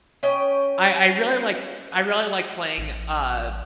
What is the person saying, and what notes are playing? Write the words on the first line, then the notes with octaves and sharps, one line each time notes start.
I I really like, I really like playing, uh,
C#4 D#5 G5
A1